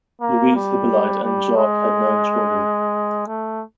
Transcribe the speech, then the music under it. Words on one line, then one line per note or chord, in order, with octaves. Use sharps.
Louise Hippolyte and Jacques had nine children.
A#3
G3
G3
G#3
A3